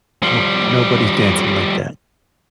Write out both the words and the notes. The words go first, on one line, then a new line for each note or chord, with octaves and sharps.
No nobody's dancing like that.
F3 G3